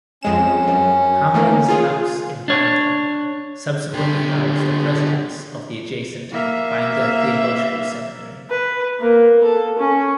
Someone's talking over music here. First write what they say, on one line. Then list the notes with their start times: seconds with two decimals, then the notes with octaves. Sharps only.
Hamlin's house in Bangor subsequently housed the Presidents of the adjacent Bangor Theological Seminary.
0.23 F2 G#3 C#4 E7
0.68 F#2
1.34 D#3 A3 A#3
1.68 F4 G#4
2.48 D4 C#5
3.94 D3 G4
6.31 A#3 E5
8.50 B4
9.00 A#3
9.44 A4
9.79 C#4